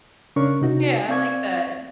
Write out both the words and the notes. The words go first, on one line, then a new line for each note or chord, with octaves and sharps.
Yeah, I like that.
C#3 C#4 D4 A#4 C#6
C3 D#4 F#4
C4 D5 F5 C#6 G#6